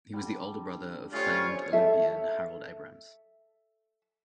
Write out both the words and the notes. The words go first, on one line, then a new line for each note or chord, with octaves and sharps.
He was the older brother of famed Olympian Harold Abrahams.
D3 G3
G3 A3 F4 G#4 C5 C#5
A4 E5